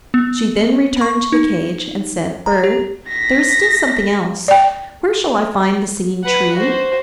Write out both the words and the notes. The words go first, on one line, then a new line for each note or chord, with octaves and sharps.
She then returned to the cage, and said: "Bird, there is still something else, where shall I find the Singing Tree?"
B3
C#6
D#4
A#5
G4
A#6 B6
D5 G5
B4 F#5
F#4 C5